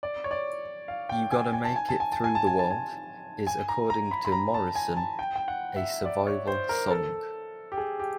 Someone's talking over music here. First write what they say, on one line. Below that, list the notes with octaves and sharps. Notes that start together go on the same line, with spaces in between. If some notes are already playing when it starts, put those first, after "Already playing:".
"You Gotta Make It Through the World" is according to Morrison, "a survival song".
D5
C#5
D5
F5
G5
G#5
G#5
A5
G#5
A5
G#5
A5
G#5
A5
G#5
A5
G#5
G#5
A#5
A#5
B5
B5
A#5
A5
G#5
A5
G5
G5
F#5
E5
D5
C#5
C5
A#4
A4
G4
G#4
G4